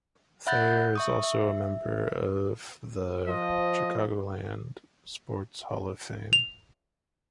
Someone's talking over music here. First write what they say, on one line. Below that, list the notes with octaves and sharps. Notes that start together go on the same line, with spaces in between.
Thayer is also a member of the Chicagoland Sports Hall of Fame.
E5 F#5 B5 F#6 G6 A6
G6
E5 C#6 D#6
E5
F3 D#5
F7